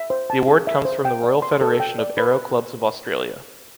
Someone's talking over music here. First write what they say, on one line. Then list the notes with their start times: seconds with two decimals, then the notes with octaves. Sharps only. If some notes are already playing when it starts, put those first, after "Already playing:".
The award comes from the Royal Federation of Aero Clubs of Australia.
Already playing: E5
0.10 C5
0.30 A5
0.48 G#4
0.67 E5
0.85 C5
1.05 G5
1.24 D5
1.42 C6
1.61 A4
1.80 G5
1.99 D5
2.17 B4